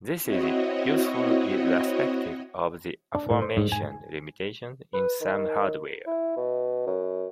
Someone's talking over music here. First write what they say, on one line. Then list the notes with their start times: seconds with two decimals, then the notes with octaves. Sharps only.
This is useful irrespective of the aforementioned limitations in some hardware.
0.24 C4 E4 F#4 C#5 D#5
3.15 D4
3.30 A2
3.42 C5
3.57 G#2
3.72 G#5
4.93 B4
5.21 D#3
6.07 E4
6.37 B2
6.87 F#2